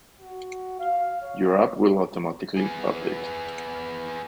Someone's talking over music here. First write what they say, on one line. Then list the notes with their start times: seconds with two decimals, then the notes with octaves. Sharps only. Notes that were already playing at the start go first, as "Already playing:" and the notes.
Your app will automatically update.
0.20 F#4
0.79 F5
1.22 C#5
2.57 B3 G#4